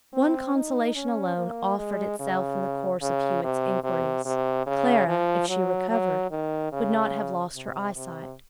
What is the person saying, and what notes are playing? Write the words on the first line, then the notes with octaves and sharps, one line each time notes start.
One consolation alone offered itself in the course of Hewett's inquiries; Clara, if she recovered, would not have lost her eyesight.
C4
D#4
C#4
A#3
G#3
C#3
C#3
C3
C3
C3
C#3
F3
F#3
F#3
D#3
C#3
C3
C3